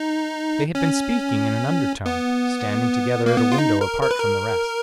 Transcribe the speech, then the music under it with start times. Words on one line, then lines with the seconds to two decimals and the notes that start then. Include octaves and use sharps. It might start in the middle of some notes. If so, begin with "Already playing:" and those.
They had been speaking in an undertone, standing together at a window, apart from the rest.
Already playing: D#4
0.75 C#4
2.06 B3
3.26 A#3
3.37 B3
3.52 F4
3.58 D#4
3.81 A#4
4.02 A#4
4.11 B4
4.19 A#4